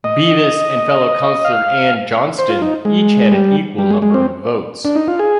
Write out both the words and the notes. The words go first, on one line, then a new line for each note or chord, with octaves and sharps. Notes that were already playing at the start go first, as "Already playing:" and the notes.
Beavis and fellow councillor Anne Johnston each had an equal number of votes.
D#5
F5
C5
F4
D#4
G#3
G3
G3
G#3
G#3
C4
D4
D#4
F4
G#4